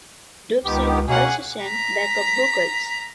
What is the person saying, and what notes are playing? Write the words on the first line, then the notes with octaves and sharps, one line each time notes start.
Dobson also sang backup vocals.
C#2 D#3 B3 G4
B2 A#3 C#4 G#4 F#5
A#5 B6